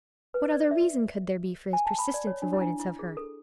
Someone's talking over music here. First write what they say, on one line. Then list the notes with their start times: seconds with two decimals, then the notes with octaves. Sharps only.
What other reason could there be for his persistent avoidance of her?
0.34 B4
0.52 D5
0.71 E5
1.73 G#5
1.86 A5
1.99 B5
2.14 D5
2.27 C#5
2.42 D4
2.53 E4
2.61 D4
2.80 E4
2.99 G#4
3.17 A4